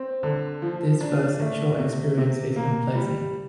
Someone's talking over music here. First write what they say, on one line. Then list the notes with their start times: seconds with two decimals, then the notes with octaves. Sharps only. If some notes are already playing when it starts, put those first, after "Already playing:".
This first sexual experience is unpleasant.
Already playing: C4
0.23 D3
0.62 F3
1.01 D4
1.40 A3
1.78 C3
2.17 C3
2.56 A#3
2.95 G3